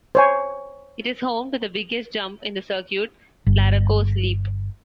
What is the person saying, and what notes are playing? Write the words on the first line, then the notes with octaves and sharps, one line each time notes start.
It is home to the biggest jump in the circuit, Larocco's Leap.
C5 C#5 G#5
G1